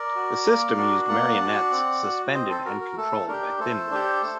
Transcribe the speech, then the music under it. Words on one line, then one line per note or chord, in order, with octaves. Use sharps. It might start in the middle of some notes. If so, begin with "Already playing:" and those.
The system used marionettes suspended and controlled by thin wires.
Already playing: A#4 D5
F#4
A#3
D4 F#4
A#3 D5 F#5
D4 F#4
C4
F#4
C4 C5 D#5
A4 C5
F#4 A#4
A#4
A3 A4
D4 G4 A#4
A3 A4 C5
D4 G4
A3